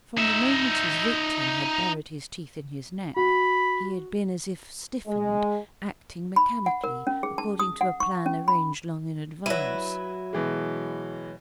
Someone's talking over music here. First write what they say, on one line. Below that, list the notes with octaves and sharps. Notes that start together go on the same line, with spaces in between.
From the moment his victim had buried his teeth in his neck, he had been as if stiffened, acting mechanically, according to a plan arranged long in advance.
D#4 E5
F#4 B5
G#3
B5
F#5
A#4
C#4
G#4
A5
D#6
F#5
C#6
C#4
B5
F#3 E4 B4 D#7
B2 E3 G#3